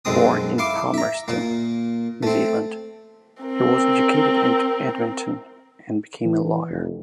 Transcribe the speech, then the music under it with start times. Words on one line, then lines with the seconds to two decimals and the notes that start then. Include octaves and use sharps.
Born in Palmerston, New Zealand, he was educated in Edmonton and became a lawyer.
0.05 B1 F#2 G#3 C4 D#6
0.58 E4 F5 C6 D6
0.94 E5 A#5
1.28 A#2 A#3
2.23 A3 C4
3.42 C4 A#4
6.25 E3
6.69 F1